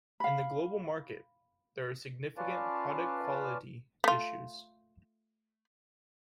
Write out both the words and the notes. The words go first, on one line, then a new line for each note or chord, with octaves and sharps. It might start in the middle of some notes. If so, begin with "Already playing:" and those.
In the global market, there are significant product quality issues.
F5 B5
C#4 F4 B4 D5 F5 A5
A3 F4